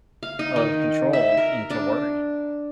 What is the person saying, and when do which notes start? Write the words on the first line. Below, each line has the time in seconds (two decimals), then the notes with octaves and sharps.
of control into worry?
0.23 F5
0.39 D#4
0.56 D#3
1.13 E5
1.37 A#4
1.71 D4